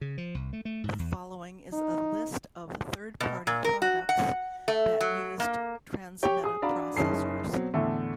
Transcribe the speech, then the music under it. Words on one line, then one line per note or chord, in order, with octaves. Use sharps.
The following is a list of third-party products that used Transmeta processors.
C#3
F3
C2
A3
A3
G#2
E2
D#4
B2
A#2
A#4
F#4
F#5
A3
F#3
A#3
G4 C#5 G5
G#4 D#6
D4 F#4 D5 F5 A#5 B5
F#1 C#4 D#4 G#4 A5 C7
B2 F#3 C4
E2 A2 D3 A3